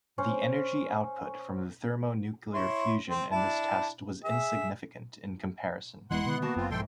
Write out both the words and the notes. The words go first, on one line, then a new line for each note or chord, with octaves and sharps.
The energy output from the thermonuclear fusion in this test was insignificant in comparison.
C#4 C5
E4 C#5 C6
C4 C5
D4 E4 A5
G#4 E5
E1 E3 G#3 B3 E4 F#5 C6 F#6
B2 D3 D#3 B3
A#3 F#4 A5
F#1 F#2 C4 F4
B1 E2 G#2 F3 A4 G5 C6